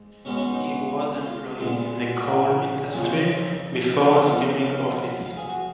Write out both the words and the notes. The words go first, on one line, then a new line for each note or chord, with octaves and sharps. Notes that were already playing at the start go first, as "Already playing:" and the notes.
He was employed in the coal industry before assuming office.
Already playing: G#2
B2 G#3 B3 C#4
C#4
D#4
F4
A#2 G#3 B3
F#4
F2 C#3 F3 A#3 G#4
F#4
F4
D#4
B4
C#5
F5
D#5
C#3 F3 B3 F5
F5
F5
G#4
F#4